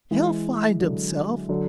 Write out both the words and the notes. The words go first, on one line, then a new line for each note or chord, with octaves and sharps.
He'll find himself.
E3 G#3
D3 F#3
D3 F#3